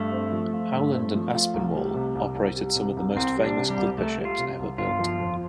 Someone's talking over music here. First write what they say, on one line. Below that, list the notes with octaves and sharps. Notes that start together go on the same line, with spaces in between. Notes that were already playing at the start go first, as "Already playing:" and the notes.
Howland and Aspinwall operated some of the most famous clipper ships ever built.
Already playing: G2 A3
C4
F3
F4
G2
C4
F3
F4
C2
G3
C3
C2
C2
G3
C3
C2
C2 C4
G3
D4
C3
G3
C2
C2 A3
G3
F4
C3
C2
G1 F4
F3
F2